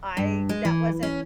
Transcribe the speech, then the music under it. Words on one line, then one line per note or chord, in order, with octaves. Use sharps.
I that wasn't
G2
G#3
E3
C#4